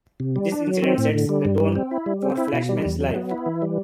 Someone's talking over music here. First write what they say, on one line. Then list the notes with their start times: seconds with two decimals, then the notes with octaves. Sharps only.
This incident sets the tone for Flashman's life.
0.20 C3
0.36 G3
0.52 D4
0.67 F#3
0.82 C4
0.98 A2
1.14 D3
1.29 G3
1.45 G2
1.60 G3
1.76 C4
1.91 E4
2.06 G3
2.22 C4
2.37 E4
2.53 B2
2.69 G3
2.85 E2
3.00 F#3
3.15 B3
3.31 E4
3.46 E3
3.62 G3